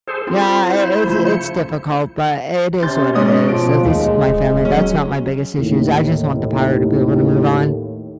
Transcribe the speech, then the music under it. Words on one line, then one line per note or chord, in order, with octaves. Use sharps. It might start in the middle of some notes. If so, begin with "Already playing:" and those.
Yeah, i it's it's difficult, but it is what it is. At least my family that's not my biggest issues. I just want the power to be able to move on,
G#4 A4 C5
C4 F4
E4 C5
C#3 F3 A3
C#7
C3 C#4 C6 G6 A6
G#2 G#3 C#5 D#6
B2 F3 D7
D#2 G#3 A3
D1
F#3 C#4
D#2 A2